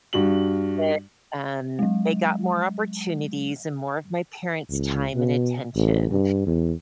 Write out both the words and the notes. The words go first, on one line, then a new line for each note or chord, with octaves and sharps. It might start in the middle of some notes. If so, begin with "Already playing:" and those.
that, um, they got more opportunities and more of my parents' time and attention,
G2 F#4 F#7
F#3 G#3
C#2
B2
A1
G2
E2